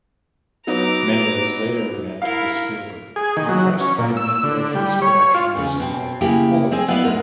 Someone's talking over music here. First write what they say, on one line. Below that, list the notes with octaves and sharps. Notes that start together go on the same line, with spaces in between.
Mendes later met with Spielberg; impressed by Mendes' productions of Oliver!
F#3 B3 D#4 A#5 D6
E4 A#4 F5
G#4
D#3
F#3
C#4
A#2
E6
D3
G3
C#5
F4
E2 A#2 C#3
B2 C4
C#3 A#3 E4 G4
G#3 C4 G#4
B3 E4 B4 D5 F5
D2 G#2 A#4